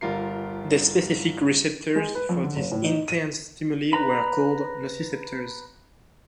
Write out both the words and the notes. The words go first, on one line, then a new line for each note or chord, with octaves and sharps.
The specific receptors for these intense stimuli were called nociceptors.
G1 G3 F4 A#4 C7
G#3
B4
F2
D3
F#1
A2
D#4
D#7
B4 A#5 B5